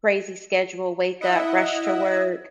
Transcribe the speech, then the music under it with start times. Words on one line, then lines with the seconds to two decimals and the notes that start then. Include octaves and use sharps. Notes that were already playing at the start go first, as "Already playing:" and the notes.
crazy schedule, wake up, rush to work,
1.20 E4 D#5 E5 F#5